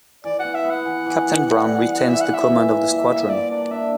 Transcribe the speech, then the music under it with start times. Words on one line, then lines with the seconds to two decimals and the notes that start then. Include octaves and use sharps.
Captain Brown retained the command of the squadron.
0.25 E3 D5
0.39 F#5
0.44 B3
0.54 E5
0.65 B3
0.70 F#5
0.86 E3
1.06 E3
1.27 E3
1.47 G3
1.68 E3
1.88 B3
2.08 E3 E5
2.21 F#5
2.29 E3 E5
2.48 E3
2.69 A#3
2.90 A#2
3.10 A#3
3.30 A#2 D5
3.50 D4 D5
3.71 D4 E5